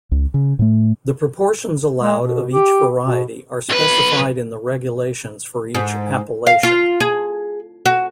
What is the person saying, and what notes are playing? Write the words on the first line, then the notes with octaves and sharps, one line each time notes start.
The proportions allowed of each variety are specified in the regulations for each "appellation".
C#2
C#3
A2 A3
G#3
B2
G4
B2
B1 B4
G#2
F5
F4
G#4
F#4